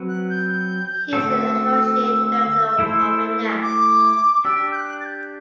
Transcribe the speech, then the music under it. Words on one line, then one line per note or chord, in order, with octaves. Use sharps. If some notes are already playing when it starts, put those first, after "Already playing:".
He is an Associate Director of Harvey Nash.
Already playing: F#3 C4 F#4 B4
F#6
G6
D3 A3 C4 F#4 A4 E6
A3 E4 A4 C5
D6
D4 G4 D5 E6
G6
F#6
A6
G6